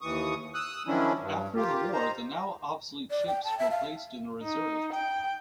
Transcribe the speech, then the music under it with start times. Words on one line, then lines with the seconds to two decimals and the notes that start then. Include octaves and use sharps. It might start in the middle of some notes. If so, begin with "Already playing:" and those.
After the war, the now obsolete ships were placed in the reserve.
0.01 D#2 E3 C#6 D#6
0.54 D#6 E6 F#6
0.87 D#3 F3 F#3 C#4 D4 E4
1.21 G2
1.56 A#3 F4 G4
1.92 D#4 C5 A#5
3.11 D5
3.28 G5
3.44 A5
3.59 E5
3.71 F5
4.43 D#4
4.93 G5